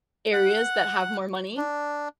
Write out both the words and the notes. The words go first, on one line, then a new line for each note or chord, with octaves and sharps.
areas that have more money.
F#5
D4